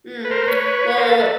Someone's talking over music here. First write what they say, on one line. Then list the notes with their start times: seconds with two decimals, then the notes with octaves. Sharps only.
Mm, well,
0.25 B4
0.31 A#4 C5
0.47 B4 C#5
0.97 A#4 C5
1.09 A4 B4
1.19 A4 B4